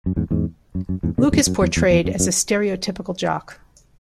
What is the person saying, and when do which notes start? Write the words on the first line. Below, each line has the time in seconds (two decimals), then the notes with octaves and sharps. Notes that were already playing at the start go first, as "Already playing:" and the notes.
Luke is portrayed as a stereotypical jock.
0.06 F#2
0.16 E2 G#2
0.31 E2 G#2
0.75 F#2
0.89 F#2
1.03 E2 G#2
1.18 B2 D3
1.28 F#2
1.32 E2 G#2
1.47 F#2
1.62 E2
1.77 E2
1.90 E2
2.05 F#2
2.20 F#2